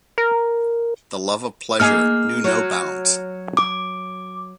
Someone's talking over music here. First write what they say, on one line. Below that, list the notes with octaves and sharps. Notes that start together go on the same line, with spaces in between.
The love of pleasure knew no bounds.
A#4
A#3 D#4 G#4 F6
F#3
D6